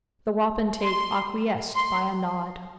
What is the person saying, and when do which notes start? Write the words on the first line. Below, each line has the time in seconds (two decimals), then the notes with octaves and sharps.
The wapentake acquiesced by a nod.
0.82 C6
1.76 C6